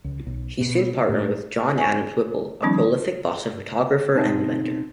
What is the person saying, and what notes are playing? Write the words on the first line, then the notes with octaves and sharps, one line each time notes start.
He soon partnered with John Adams Whipple, a prolific Boston photographer and inventor.
C#2
B1
B2
A2
G#5 C#6
D#3 F3 G3 B3 C#4 D#4
B2 C4 D#4 C5 A5